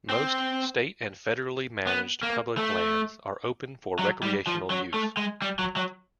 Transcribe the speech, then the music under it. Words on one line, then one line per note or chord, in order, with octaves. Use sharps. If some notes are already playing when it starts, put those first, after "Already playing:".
Most state- and federally managed public lands are open for recreational use.
C4
B3
A#3
A3
F#3
G3
F3
F#3
A3
G#3
G3
F#3
F#3